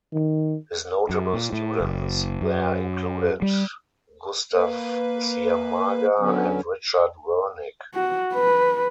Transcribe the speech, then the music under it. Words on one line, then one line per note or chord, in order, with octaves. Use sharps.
His notable students there included Gustav Ciamaga and Richard Wernick.
D#3
F#2
A#2
A2
F#1
F#2
G3
A#3 B4
D3 F#3 B3 C#4
F#4
B4